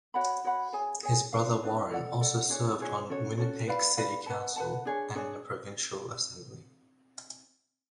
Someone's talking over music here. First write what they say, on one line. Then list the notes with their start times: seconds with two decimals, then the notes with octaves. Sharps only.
His brother Warren also served on Winnipeg city council and in the provincial assembly.
0.14 F#4 C#5 F#5 B5
0.44 F#4 C#5 F#5 B5
0.73 G#4 C#5 G#5
1.03 G#4 C#5 G#5
1.33 D4 F4 B4 F5
1.62 D4 F4 B4 F5
1.91 A4 D5 F#5
2.21 A4 D5 F#5
2.49 D4 F4 G#4 C#5
2.80 D4 F4 G#4 C#5
3.09 C#4 F#4 A4 C#5
3.38 C#4 F#4 A4 C#5
3.67 B4 D5 F5 B5
3.97 B4 D5 F5 B5
4.26 B4 F#5 A5
4.56 B4 F#5 A5
4.85 D4 G#4 C#5
5.15 D4 G#4 C#5